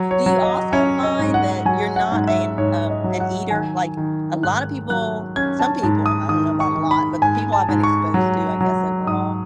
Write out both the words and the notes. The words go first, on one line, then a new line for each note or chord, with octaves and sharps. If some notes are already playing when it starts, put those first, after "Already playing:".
Do you also find that you're not an, uh an eater? Like, a lotta people some people, I don't know about a lot, but people I've been exposed to, I guess overall,
Already playing: F#3 C#5
C#5
F#3
D#5
C#4 C#5
D#5
G#2
F#5
F#3 G#5
F#5
G#2
E5
G#2 C#5
D#5
F#3
F#5
D#3 G#5
D#3
G#2 F#6
F#3 F#6
C#4 G#6
A5
G#2 A5
D#6
D#3 D#6
C#6
D#3
B5
G#2 G#5
A5
G#2
C#6
F#3
F#3
G#2 D#6